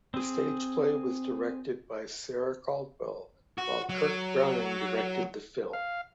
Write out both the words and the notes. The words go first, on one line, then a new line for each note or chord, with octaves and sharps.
The stage play was directed by Sarah Caldwell while Kirk Browning directed the film.
C4 G#4
F#4
F#3
F5